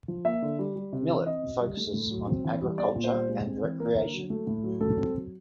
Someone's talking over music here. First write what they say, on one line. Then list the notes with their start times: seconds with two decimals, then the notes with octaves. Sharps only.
Millet focuses on agriculture and recreation.
0.08 F3
0.25 A#3 E5
0.42 D3
0.59 G3
0.76 G3
0.93 C3
1.09 E3
1.26 C4 D#5
1.43 B2
1.60 G3
1.77 A3
1.94 A2
2.11 F#3
2.27 C4
2.45 E3
2.61 G3
2.78 B3 D5
2.95 A#2
3.04 C5
3.12 G3
3.29 G#3
3.46 C4
3.63 E3
3.80 A#3 A#4
3.96 D3
4.13 F#3
4.30 A3
4.47 A2
4.64 F#3
4.81 A3 A4
4.98 C4
5.14 F#3